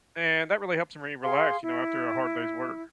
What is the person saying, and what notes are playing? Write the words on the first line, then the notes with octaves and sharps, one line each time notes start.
And that really helps me relax, you know, after a hard day's work.
G#4 F5 C6
E4